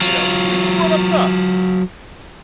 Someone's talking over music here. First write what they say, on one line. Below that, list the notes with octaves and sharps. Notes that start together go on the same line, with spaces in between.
You know, we were brought up tough,
F#3 F4